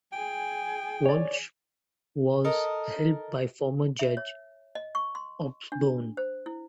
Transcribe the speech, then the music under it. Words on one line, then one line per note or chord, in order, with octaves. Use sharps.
Walsh was helped by former judge Osbourne.
G#4 G5 G#5
C#5 D5
A4 A#4 D#5
E5
C#5
D#5
C#6
C6
D4
C5
E4